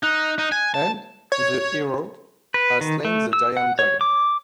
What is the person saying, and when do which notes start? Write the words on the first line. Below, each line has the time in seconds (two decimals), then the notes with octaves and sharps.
And the hero has slain the giant dragon.
0.03 D#4 F#6
0.38 D#4 D#5
0.52 G#5
0.74 A5
1.32 C#5
2.54 B4
2.81 D#3
3.05 A3
3.33 E6
3.57 F#5
3.79 C#5
4.01 D6